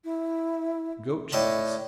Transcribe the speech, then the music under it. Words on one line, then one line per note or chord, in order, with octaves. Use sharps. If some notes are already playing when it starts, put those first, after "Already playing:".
Goat cheese.
E4
A2 D5 D#5 A5